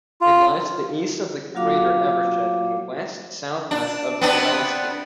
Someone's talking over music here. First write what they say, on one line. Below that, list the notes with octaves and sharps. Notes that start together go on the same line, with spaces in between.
It lies to the east of the crater Evershed, and west-southwest of Gadomski.
F4
F#3 A#3 F4 F#4 F5 D6
D4
B3 C4 D4